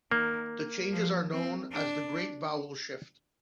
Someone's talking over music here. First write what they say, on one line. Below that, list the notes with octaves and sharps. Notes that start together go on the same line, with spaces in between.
The changes are known as the Great Vowel Shift.
D#3 A#3
F3
C4
D4